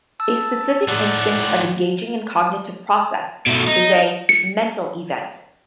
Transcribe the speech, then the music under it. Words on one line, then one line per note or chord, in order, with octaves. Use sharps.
A specific instance of engaging in cognitive process is a mental event.
A5 E6
A2 D#3 F3 D5 F#5
B2 A3
D#4
C#7